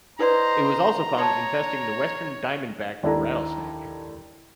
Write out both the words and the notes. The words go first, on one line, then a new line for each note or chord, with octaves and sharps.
It was also found infesting the Western diamondback rattlesnake.
E4 B4 C5 D5 D#5 A#5
C#5 A5 C6
D#2 D4 E4 A4 A#5